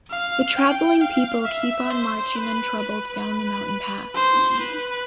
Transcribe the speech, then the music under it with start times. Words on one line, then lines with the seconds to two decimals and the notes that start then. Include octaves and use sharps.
The travelling people keep on marching untroubled down the mountain path.
0.11 F5
0.57 G5
1.01 F5
1.45 E5
1.90 C5
2.35 B4
2.80 B4
4.15 C5
4.59 B4